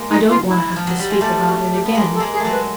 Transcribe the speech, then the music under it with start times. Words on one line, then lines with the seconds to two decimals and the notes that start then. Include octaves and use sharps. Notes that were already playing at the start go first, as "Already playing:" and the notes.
I don't want to have to speak about it again.
Already playing: G#3 A#3
0.10 D#4
0.29 F4
0.48 E4
0.76 F3
0.87 F#3
0.99 G3
1.10 G#3
1.21 G3 A3
1.46 F#4
1.71 G4
1.86 B3
1.95 G#3 A#3
2.14 A4
2.20 G#3 A#3
2.33 G#4
2.40 F#3 G#3 A3
2.51 B4